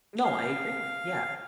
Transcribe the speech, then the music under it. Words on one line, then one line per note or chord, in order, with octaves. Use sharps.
No, I agree, yeah.
F5